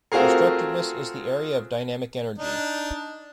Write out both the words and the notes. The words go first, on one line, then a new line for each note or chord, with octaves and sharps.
Destructiveness is the area of dynamic energy.
A3 C4 F4 F#4 G#4 A#4
D4 D#4